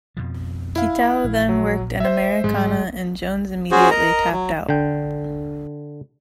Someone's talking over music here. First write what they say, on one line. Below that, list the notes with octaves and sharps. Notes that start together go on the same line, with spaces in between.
Kitao then worked an americana and Jones immediately tapped out.
F2 B2 F3
E4 F5
A#1
F#3
C5 E5
A1 G#2 F#3 G#3
C#4 F#4 G#4 C5
A#4 D#5 A#5
F#3
D3 G5